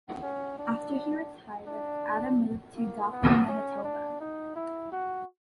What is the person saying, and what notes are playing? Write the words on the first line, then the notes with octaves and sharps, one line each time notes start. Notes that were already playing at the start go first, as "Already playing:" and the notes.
After he retired, Adam moved to Dauphin, Manitoba.
C#4
D4
D4
A#3
B3
C#4
D4
D#4
E4
F#4